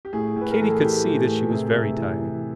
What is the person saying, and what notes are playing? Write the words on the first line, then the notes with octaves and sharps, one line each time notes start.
Katy could see that she was very tired.
G4
A2 G#4
A2
B4
A#4
E3 A4
G#4
E3 G4
A2
A2
C3 G#4
C3
E3
E3